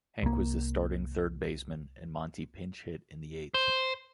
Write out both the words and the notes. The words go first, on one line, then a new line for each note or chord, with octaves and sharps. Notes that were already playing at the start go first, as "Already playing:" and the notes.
Hank was the starting third baseman, and Monte pinch hit in the eighth.
C2 A#3
C5